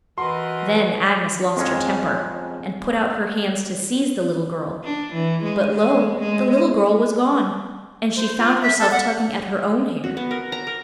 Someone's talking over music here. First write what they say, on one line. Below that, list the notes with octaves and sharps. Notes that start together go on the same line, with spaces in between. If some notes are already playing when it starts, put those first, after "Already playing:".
Then Agnes lost her temper, and put out her hands to seize the little girl; but lo! the little girl was gone, and she found herself tugging at her own hair.
E3 F#4 A#4 B4 D#5 C6
F2 G#3 C4 C#4 G#4 G#5
D4
E3
G#3
G#3
G#3
C5
F4
E5
A4
F#5
F#4
B3
A#4
A#5
A#4